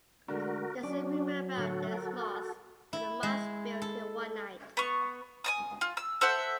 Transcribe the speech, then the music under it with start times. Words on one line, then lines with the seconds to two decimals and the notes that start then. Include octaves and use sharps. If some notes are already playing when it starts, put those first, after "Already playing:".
There is a rumour about this mosque that the mosque built in one night.
0.28 D3 G#3 A3 D4 F#4 A#4
0.83 F#3 C#4 D4 D5
1.57 A2 D3 F#4 A4 C#5
1.94 A#4
2.93 E4
3.23 G#3
3.82 A4
4.77 B3 C#6
5.44 G#5 A#5 D#6
5.81 F4
5.97 E6
6.21 A4 C5 E5 F#5